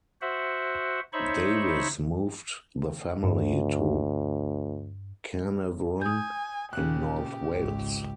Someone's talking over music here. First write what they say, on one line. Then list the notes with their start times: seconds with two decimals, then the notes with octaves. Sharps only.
Davies moved the family to Carnarvon in North Wales.
0.21 F#4 C5 E5 F#5
1.13 D#4 C5 C#5 E5 B5 C#6
3.24 D2 G2
6.02 G#5 D#6 G6
6.73 A#2 C#3 G4 F#6
7.51 G#1 C#2